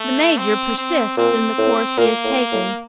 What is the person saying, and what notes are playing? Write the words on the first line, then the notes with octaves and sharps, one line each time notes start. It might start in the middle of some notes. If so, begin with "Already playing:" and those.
The major persists in the course he has taken.
Already playing: A3
C4
C4
A#2 C4
A2
A#2 A#3
A2
A2